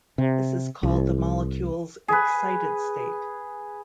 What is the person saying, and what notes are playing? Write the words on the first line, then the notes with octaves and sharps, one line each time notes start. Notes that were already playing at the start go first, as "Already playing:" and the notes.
This is called the molecule's excited state.
C3
C2
G#4 B4